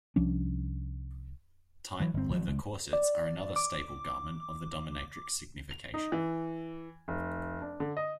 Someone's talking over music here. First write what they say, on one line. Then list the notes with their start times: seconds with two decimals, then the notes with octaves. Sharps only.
Tight, leather corsets are another staple garment of the dominatrix signification.
0.16 C2 F3 C#4 D4
2.00 E3 F#3
2.14 G1 C4
2.29 G#1 F3 F#3
2.48 C#2
2.93 D5
3.56 D6
5.71 F7
5.94 D#4
6.12 E3
7.08 F1
7.61 D4
7.80 D3
7.97 D#5